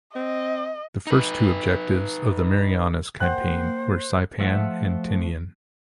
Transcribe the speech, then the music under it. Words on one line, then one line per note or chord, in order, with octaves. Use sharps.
The first two objectives of the Marianas campaign were Saipan and Tinian.
C4 D#5
D#4 B4
A#3 C5 F#5 G5 F#6
F3 A3 F4 E5 F#5